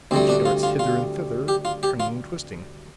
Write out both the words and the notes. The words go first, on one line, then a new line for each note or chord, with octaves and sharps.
She darts hither and thither, turning and twisting.
D2 C3 G3 C4
D4
F4
F4
F4
G4
F4
G4
F4